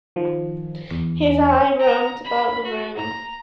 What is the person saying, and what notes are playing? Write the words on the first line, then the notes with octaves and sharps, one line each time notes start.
His eye roamed about the room.
D#3 F3
E2
A#5
B5
F#4
A#5